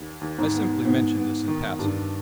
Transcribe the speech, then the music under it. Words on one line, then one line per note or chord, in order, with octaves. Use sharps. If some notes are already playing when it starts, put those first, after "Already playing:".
I simply mention this in passing.
Already playing: D#2
D#2
G#2
B3
G#2 B3
B3
D#3
G2 D4